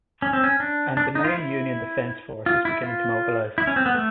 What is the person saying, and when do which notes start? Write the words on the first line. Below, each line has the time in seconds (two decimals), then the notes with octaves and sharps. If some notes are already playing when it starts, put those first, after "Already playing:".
And the main Union defense force was beginning to mobilize.
0.22 C#4
0.33 C4
0.44 C#4
0.60 D4
0.97 D4
1.15 D#4
1.24 F4
1.34 E4
2.46 F4
2.65 E4
2.83 F4
3.58 E4
3.67 C#4
3.76 C4
3.86 B3
3.95 A3